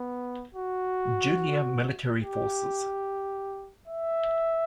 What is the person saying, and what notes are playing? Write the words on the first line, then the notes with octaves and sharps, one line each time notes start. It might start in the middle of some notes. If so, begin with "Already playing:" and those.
Junior Military Forces.
Already playing: B3
F#4
G4
E5